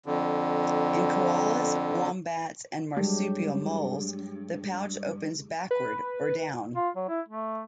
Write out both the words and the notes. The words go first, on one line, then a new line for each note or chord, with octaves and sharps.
In koalas, wombats and marsupial moles, the pouch opens backward or down.
F2 D3
G2 F#3 G#3 G4
B4
F4
F#3
E4
A3